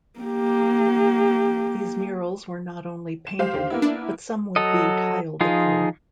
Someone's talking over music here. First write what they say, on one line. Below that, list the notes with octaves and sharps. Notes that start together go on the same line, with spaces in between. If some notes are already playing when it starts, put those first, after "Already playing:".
These murals were not only painted but some would be tile decor.
A#3 G4
E7
G#3 G4 C5 F5
D#2 D3
A#3 B3 E4
D4
F#3 A4 D#5
F3 D#4 F4 G#4